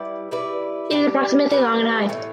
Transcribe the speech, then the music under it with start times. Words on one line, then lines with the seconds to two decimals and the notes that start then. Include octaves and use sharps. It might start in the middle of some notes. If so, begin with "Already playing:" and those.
It is approximately long and high.
Already playing: G3 E4 B4 D5
0.31 G3 E4 B4 D5
0.90 G3 D4 G4 B4
1.49 G3 D4 G4 B4
2.09 A2 E3 B3